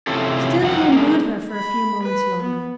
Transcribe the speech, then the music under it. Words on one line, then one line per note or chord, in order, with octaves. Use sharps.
Still he endured her for a few moments longer.
C3 E3 A3 C#4 F4 A4
F#2 D#3 F3 F#5
G#3 A#3
B5
B4
B3